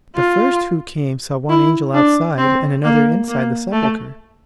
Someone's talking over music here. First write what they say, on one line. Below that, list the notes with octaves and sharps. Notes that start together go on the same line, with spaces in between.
The first who came saw one angel outside and another inside the sepulchre.
F4
E4
D4
C4
A#3
A#3
A3